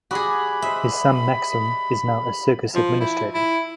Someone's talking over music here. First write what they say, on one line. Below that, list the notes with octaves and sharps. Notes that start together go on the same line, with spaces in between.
His son, Maxim, is now a circus administrator.
G3 F#4 G#4 D5 B5 D#6
B4 C5 D#5 E5
F3
E4
E4